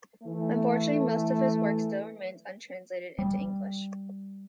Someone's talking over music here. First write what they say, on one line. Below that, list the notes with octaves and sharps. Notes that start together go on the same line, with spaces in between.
Unfortunately most of his work still remains untranslated into English.
E3 A3
G3